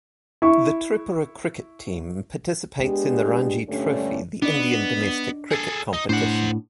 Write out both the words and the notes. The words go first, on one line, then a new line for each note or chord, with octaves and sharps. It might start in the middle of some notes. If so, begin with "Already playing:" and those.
The Tripura cricket team participates in the Ranji Trophy, the Indian domestic cricket competition.
E4 C#6
G#3 B3 D4 G4
G2 A#2 D3 G3 A3 C#4
B3 D4 D#4 D5
G#4 A4
D#4
A2 D4 C5 F#5